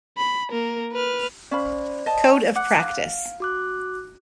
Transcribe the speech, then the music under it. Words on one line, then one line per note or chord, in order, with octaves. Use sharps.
Code of practice.
B5
A#3 A#4
B4 F6
C#4 C5 D5 F5 B5
D#5 A5
F#5 D6 F#6
F5
F#4 D6 F#6